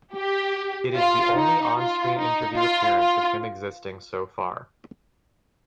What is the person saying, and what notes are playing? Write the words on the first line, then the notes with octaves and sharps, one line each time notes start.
It is the only on-screen interview appearance of him existing so far.
G4
F4
D#4
F4
D#4
F4
F4